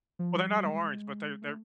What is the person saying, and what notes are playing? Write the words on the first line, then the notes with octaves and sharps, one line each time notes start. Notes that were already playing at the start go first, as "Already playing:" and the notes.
Well, they're not orange, but their their
F3
G3
G3
G#3
A3